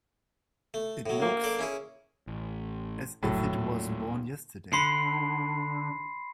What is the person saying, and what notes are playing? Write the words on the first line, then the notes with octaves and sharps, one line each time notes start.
It looks as if it was born yesterday.
A3
A2 F#3
A#3
A4 D5
C#4 E4 G#4
A1
F1 A#1 A2 F#3
D#2 A#2
D3 B5 C6 C7